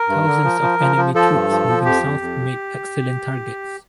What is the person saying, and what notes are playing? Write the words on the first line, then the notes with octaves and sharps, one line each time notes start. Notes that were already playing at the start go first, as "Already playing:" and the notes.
Thousands of enemy troops moving south made excellent targets.
Already playing: A#4
G2
D3
F3
F3
F3
F3
F3 A4
G2
F3
F3
F2 G4
F2
F2